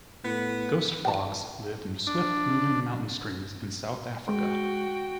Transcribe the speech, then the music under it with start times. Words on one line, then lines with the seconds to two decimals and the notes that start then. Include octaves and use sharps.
Ghost frogs live in swift-moving mountain streams in South Africa.
0.24 A2 B3
1.05 G5 A5
2.07 D4
4.29 G#3 F#4 G5